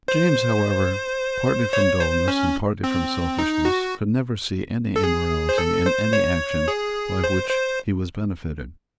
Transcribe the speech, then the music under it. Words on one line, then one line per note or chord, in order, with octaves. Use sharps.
James, however, partly from dulness and partly from selfishness, could never see any immorality in any action by which he was benefited.
C5
C#5
C5
C#4
C4
D#4
F#4
A4
G#4
C5
A4
C5
C#5
G#4
C5
C5